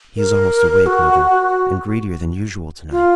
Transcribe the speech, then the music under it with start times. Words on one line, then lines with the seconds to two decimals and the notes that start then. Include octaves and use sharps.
"He is almost awake, mother; and greedier than usual to-night."
0.17 A#4
0.86 F#4
2.91 F4